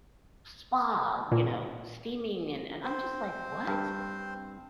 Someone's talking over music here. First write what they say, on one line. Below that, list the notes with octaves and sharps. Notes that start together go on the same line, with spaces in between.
spa, you know, steaming, and and I'm just like, "What?"
A#2
C4 C5
G2